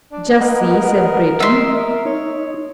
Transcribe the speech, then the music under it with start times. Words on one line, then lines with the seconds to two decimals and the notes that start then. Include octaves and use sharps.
"Just see," said Breton.
0.12 D4
0.41 A#4 B4 D#5 F#5
1.40 D#5 E5 C6
2.05 D#4 C#5